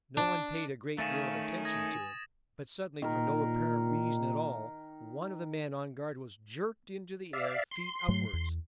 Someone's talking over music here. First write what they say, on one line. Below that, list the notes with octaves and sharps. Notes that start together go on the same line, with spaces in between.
No one paid a great deal of attention to it, but suddenly for no apparent reason at all one of the men on guard was jerked into the air feet upwards.
D4
D#3 A3 C#4 G#4 F5 A6 D#7 E7
G#5 D#6 G#6 A#6
A#2 D#3 A#4
D5 E5 F5
C6
G#2 F#3 A3
E2